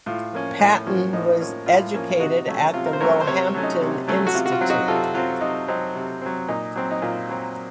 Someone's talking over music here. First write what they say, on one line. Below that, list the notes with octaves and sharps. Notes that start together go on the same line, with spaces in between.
Patten was educated at the Roehampton Institute.
A2 F4
F3 A#3 C#4
A2
F3 A#3 C#4
A2 D#4
F3 A#3 C#4
A2 F4
F3 A#3 C#4
F4
C3 D#4 F#4
F#3 A3 C#4
C3 F4
A#4
C5
F#3 A3 C#4 A#4 C#5
C5
C3 A#4 C#5
F#3 A3 C#4
D#4
C3
F#3 A3 C#4
F#4
C3 F4
F#4
F4
F#3 C4
D#4 F#4
C3 F4 A4
F#3 C4 F4
C3 D#4
F#3 C4 D#4
C3
F#3 C4
A#2 D#4
F#3 C4
D#4
A#2 F4
F#3 C4